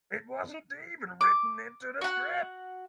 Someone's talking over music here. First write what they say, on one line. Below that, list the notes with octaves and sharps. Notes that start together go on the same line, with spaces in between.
It wasn't even written into the scrip.
D6
F#4 F#5